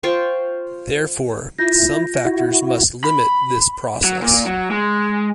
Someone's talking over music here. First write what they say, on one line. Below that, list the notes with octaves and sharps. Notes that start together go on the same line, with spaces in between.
Therefore, some factors must limit this process.
F4 C5 G5 C#6
E4 F4 G6 A#6
E4 F#4
B5
F#3
A#2
F#3
G#3